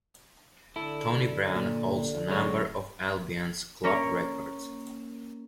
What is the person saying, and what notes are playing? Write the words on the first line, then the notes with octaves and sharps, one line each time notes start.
Tony Brown holds a number of Albion's club records.
D3 E4 A4
A#2
F#2 G#3 C#5
A#3 C#4 A#4 C#5